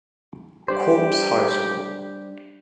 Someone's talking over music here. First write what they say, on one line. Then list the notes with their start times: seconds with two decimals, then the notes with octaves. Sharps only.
Corpse High School.
0.68 G3 D4 G4 C5